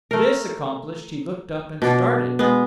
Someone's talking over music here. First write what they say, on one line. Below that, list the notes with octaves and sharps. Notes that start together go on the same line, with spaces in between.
This accomplished, he looked up and started.
A3 A#4
B2 D4
G#3 B3